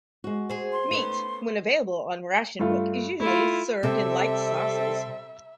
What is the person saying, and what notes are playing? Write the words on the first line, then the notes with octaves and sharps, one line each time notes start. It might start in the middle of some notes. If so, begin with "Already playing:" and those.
Meat, when available on ration book is usually served in light sauces.
G#3 F#4
G#4 C5
C6
A3 B3 C#4 D#4
G2 A3 F4
A3 E4 F4
C3 G3 C4 A4 E5